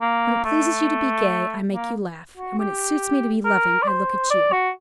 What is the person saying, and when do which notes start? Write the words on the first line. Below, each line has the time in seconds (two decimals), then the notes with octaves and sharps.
When it pleases you to be gay, I make you laugh; when it suits me to be loving, I look at you.
0.01 A#3
0.44 A3
1.72 A#3
2.37 F#4
2.59 G4
3.44 A#4
3.82 D5
3.87 C5
4.30 D5
4.52 F#4